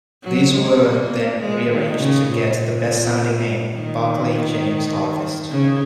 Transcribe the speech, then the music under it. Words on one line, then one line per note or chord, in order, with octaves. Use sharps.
These were then rearranged to get the best-sounding name - "Barclay James Harvest".
F#3
G#3
A#3
G#3
D#3
C#3
A#2
D#3
C#3